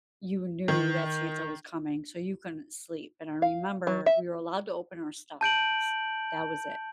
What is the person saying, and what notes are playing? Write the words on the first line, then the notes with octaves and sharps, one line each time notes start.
you knew that Santa was coming so you couldn't sleep, and I remember we were allowed to open our stockings. That was it.
D#3
F5
F#3
E5
A5 G6 D7 F#7